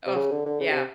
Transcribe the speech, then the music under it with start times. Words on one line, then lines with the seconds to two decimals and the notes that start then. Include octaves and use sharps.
Oh, yeah.
0.07 C3
0.16 C#3
0.31 D3
0.46 D3
0.60 C#3
0.72 C3